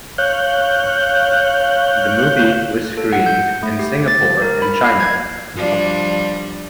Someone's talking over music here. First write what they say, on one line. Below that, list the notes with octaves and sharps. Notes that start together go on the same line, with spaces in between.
The movie was screened in Singapore and China.
C#5 F5 F#6 G6
A4
F#5
G6
A3
G4
A6
A#4
B5
C7
G#6
F3 G3 D4